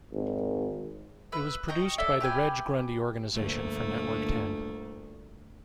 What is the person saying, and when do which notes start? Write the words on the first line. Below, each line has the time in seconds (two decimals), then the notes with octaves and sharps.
It was produced by the Reg Grundy Organisation for Network Ten.
0.12 G#1
1.32 B4 E5
1.68 D#5 G5 A#5 C#6
1.98 A4 C#5 D5 E5
2.20 G4 B4 G5 G#5
3.33 G1 D2 A3 A#3